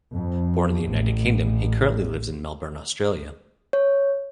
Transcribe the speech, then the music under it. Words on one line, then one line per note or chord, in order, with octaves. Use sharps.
Born in the United Kingdom, he currently lives in Melbourne, Australia.
F2
A1
C#5